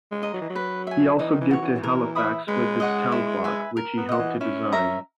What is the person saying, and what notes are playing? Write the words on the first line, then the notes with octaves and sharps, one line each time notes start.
He also gifted Halifax with its Town Clock, which he helped to design.
G#3
D#5 A#5
F#3
E3
F#3
B4
E5 G#5
E3 D#4
D#3
E3
F#4 C#5
E3
E3 A#4
E5 B5 D#6
G#3 B4
D#5 F#5 C#6
E4
B4 E5 G#5
A#4
B3
D#5 F#5
E3
C#4 E4
A#4 E5 A#5